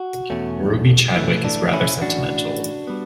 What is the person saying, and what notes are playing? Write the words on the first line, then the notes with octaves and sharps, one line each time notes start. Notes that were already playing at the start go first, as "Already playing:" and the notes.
Ruby Chadwick is rather sentimental.
Already playing: F#4
E2 B2 A3 C#4
A2 E3 A3 C#4
D4
C#4 E4
A2 E3 A3 C#4 D4 F#4
G3 B3